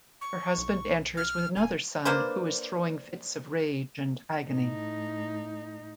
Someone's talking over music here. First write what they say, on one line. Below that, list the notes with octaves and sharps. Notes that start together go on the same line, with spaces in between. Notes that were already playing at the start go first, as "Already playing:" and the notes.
Her husband enters with another son who is throwing fits of rage and agony.
C#6
B1
F6
D#1 G#5
A#3 D4 B4 C5
A2 D#4